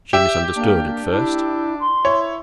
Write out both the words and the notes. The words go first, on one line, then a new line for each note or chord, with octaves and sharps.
She misunderstood at first.
G4 E5
A#3 D4
D4 E4
C6
E4 C#5